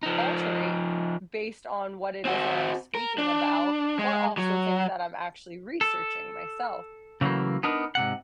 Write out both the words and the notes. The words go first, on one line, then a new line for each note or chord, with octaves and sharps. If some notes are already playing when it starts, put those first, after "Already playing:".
d alterate b based on what it is that I'm speaking about, or also, things that I'm actually researching myself,
F3 D#4
C4 F#4
A#4
D4
G#3
F#3
A4
C#3 E3 F#3 A3 A#3
B3 D4 D#4 A#4
G#2 C3 F#5